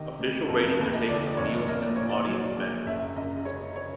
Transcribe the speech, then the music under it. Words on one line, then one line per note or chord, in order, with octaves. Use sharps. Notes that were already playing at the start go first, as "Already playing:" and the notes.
Official ratings are taken from Nielsen Audience Measurement.
Already playing: C3 D#3 D#5
D2
F1 A4
A#4
D#2 B4
D#5
D3 D5
D5
F1 C#5
A#3 D#5
D5
A#2 C#5
D5
F#3
A#1
F#1 E5
F#2 D#5
C#3 C#5
C#5